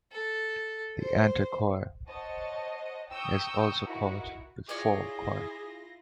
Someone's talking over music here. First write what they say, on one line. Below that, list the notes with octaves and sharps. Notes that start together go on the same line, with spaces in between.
The ante-choir is also called the fore choir.
A4
C5
C5 C#5 D#5 F#5 A5
G5 A#5 C#6 D#6 E6 G6
D#4 E4 F#4 A#4 E5 F#5
E4 F4 G#4 C#5 D5 A#6